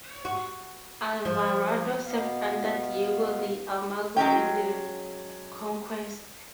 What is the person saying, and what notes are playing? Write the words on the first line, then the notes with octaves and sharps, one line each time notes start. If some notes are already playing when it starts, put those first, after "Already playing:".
Alvarado served under Diego de Almagro in the conquest.
F#4
F3
B2 B3 F5
F#3 G#3 C#4 G5